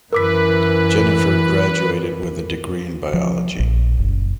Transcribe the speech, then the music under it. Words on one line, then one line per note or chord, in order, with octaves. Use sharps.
Jennifer graduated with a degree in biology.
F#2 E3 A#4 B4 D6 B6
F3
A#1
F#1